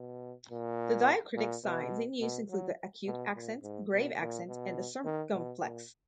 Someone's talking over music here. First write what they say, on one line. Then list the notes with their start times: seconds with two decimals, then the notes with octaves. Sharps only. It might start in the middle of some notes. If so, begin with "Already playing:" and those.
The diacritic signs in use include the acute accent, grave accent and the circumflex.
Already playing: B2
0.51 A#2
1.36 A#2
1.65 B2
2.21 B2
2.50 F#3
3.06 B2
3.35 A#2
3.63 G#2
3.92 B2
4.20 A#2
4.48 B2
5.05 D#3
5.34 B2
5.62 A#2